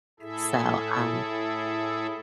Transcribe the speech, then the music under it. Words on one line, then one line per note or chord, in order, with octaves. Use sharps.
so, um,
A2 E4 G#4 A4 E5